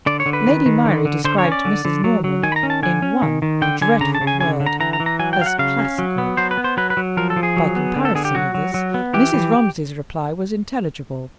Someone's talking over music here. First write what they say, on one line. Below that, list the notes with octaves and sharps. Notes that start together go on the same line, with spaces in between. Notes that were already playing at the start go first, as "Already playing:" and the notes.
Lady Myrie described Mrs. Norman, in one dreadful word, as "Classical." By comparison with this, Mrs. Romsey's reply was intelligible.
D3 D5
C#5
D3
B4
D#3
D#3
D3
D3
D3 C5
C#5
C#4
D5
D3
D3
F#3
F#3
D#3 G#5
B5
A#5
C#4
A5
D3 G#5
C#4
D#3
D#3
D3 G5
D3 G#5
C#3 A#5
A5
C#3
G#5
D3 G#5
D3
A#5
E3 A#5
A#5
E3
A#5
F#3 G#5
G5
F#3 F5
F#5
C#3 F5
C#4
F#3
B3
F#3 C5
B4
B3
C5
F#3 B4
B4
F#3
F3 A#4
A4
F3
G#4
F#3
B3
D3
A4
D3 G#4
G4
F#3 F#4
F#3
F#3
B3
E3 G4
E3